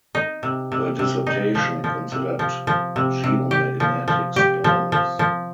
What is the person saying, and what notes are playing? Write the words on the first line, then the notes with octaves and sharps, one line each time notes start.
Her dissertation considered geomagnetic storms.
D#4
C3
C3
C3
D#4
F3
F3
C3
F3
F3
C3
C3
G4
F3
F3
G4
F3
F3
F3